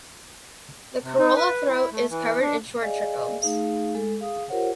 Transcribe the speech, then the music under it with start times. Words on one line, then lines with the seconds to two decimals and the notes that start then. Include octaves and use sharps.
The corolla throat is covered in short trichomes.
1.02 C3
1.19 D#4
1.36 B4
1.69 E4
1.92 A3
2.10 E3
2.41 D4
2.82 G#4 D5 D#5 F5 G#5
3.41 A3 D#4 G#4 F5
3.95 G#3 A4
4.20 G#4 F5 D#6
4.49 F4 G4 A#4 C5 C#5 F#5